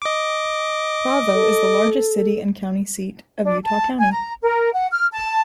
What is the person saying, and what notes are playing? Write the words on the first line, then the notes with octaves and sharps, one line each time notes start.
Provo is the largest city and county seat of Utah County.
D#5 D6
A4
D4
A5
G#5
A#5
A#4
F#5
F6
A5